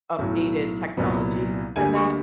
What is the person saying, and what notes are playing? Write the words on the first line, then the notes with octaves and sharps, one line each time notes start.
updated technology for that.
B1 A2 F#3
C2 A#2 F#3 B3
D2 D3 G3 A#3 G#5
C#6